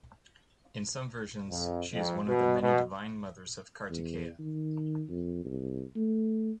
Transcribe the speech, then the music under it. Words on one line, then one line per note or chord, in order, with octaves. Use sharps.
In some versions, she is one of the many divine mothers of Kartikeya.
F2
F2
B2
B2
E2
D#3
F2
C2
A3